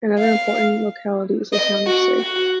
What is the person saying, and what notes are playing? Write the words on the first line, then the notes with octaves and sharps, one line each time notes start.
Another important locality is the town of Sig.
F5
D#5
F#4
F#4